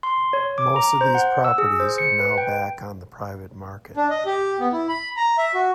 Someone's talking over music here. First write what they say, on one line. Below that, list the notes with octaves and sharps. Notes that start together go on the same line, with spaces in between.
Most of these properties are now back on the private market.
C6
C#5
D6
A#5
C5
F#5
E6
G#4
C5
C#7
B4
G5
D4
D#5
G4
B3
E4
B5
A#5
E5
F#4